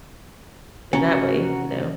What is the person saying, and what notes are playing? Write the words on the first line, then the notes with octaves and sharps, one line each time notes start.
in that way. You know?
C3 C#4 F#4 A#5 C#7